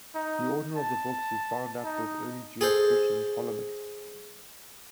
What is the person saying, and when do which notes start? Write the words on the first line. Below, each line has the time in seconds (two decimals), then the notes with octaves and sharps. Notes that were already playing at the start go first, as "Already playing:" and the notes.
The order of the books is bound up with early Jewish-Christian polemics.
0.15 D#4
0.76 A5
1.84 D#4
2.61 G#4 A4 C5